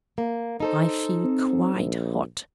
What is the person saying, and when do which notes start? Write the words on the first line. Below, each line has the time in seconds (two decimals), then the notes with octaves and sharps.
I feel quite hot.
0.18 A#3
0.60 D#4 A4 C5
1.24 C4
1.74 A#1